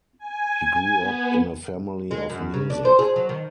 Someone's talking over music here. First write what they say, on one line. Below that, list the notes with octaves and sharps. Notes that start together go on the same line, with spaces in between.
He grew up in a family of music.
G#5
G#5
B3
G#3
F#2
C#3
D4
C5
G#4
F#3
D#3